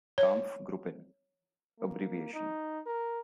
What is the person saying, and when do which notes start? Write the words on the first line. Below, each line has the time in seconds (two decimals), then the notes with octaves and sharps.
"Kampfgruppen"; abbrev.
0.18 C#5
1.79 A#3
2.34 D#4
2.87 A#4